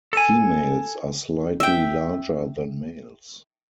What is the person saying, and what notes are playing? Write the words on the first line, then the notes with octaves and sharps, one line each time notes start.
Females are slightly larger than males.
A4 G#5
E5 G5